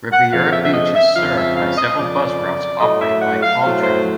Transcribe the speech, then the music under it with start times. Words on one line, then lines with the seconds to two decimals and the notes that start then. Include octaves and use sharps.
Riviera Beach is served by several bus routes operated by PalmTran.
0.12 F#5
0.32 F2 C#3 F3 F5
0.53 E5
0.65 E5
0.73 D#5
0.95 E5
1.16 F2 C#3 F3 F5
1.36 E5
1.57 F5
1.77 D#5
1.98 F2 C#3 F3 D5
2.80 A2 F#3 A3 D#5
3.01 E5
3.22 F#5
3.43 F5
3.63 A2 F#3 A3 C5
3.84 C5